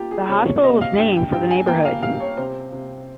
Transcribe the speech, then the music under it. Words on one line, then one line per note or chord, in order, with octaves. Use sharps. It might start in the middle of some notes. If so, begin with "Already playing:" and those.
The hospital was named for the neighborhood.
Already playing: G3 A#3 F4 G4
G#4
C3 C#5
C#5
C3 D#5
F5
G2 G5
G5
G2 G5
G#5
A#3 G5
F5
G3 F5
C#5
C3 C5
C3